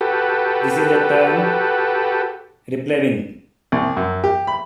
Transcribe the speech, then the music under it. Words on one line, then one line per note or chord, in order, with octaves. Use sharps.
This is termed "replevin".
F#4 G4 A4 B4
C2
F#2
G4
B5